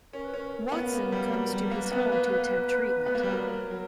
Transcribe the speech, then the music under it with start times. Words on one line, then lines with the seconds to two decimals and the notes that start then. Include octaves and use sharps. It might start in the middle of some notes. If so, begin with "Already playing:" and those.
Watson comes to his home to attempt treatment.
0.13 C#4 A#4
0.25 B4
0.34 C#4 A#4
0.72 B3
0.93 A#3
1.12 G3
1.32 F#3
1.53 G3
1.71 A#3 B4
1.92 B3
2.12 A#3
2.31 A#3
3.06 B3
3.15 A#3
3.23 G3
3.31 F#3 A#4
3.71 F#3